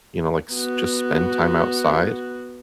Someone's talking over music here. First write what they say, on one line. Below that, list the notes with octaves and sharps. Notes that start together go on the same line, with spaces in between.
you know, like, s just spend time outside,
B3 F#4